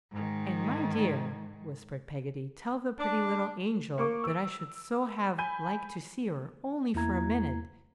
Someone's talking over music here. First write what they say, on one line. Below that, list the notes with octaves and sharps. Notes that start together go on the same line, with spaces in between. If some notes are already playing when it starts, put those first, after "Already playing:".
'And, my dear!' whispered Peggotty, 'tell the pretty little angel that I should so have liked to see her, only for a minute!
G#2 D#3
D4
A#3 C#6 D6
E6 D7
G#5 B5 G6 D#7
E2 A#3 E4 A#5 G#6